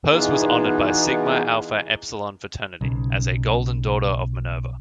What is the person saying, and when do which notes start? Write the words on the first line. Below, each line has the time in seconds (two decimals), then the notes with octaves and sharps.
Post was honored by Sigma Alpha Epsilon fraternity as a "Golden Daughter of Minerva".
0.11 B2 E3 B3 D#4 F4 G#4
2.81 B1 C#3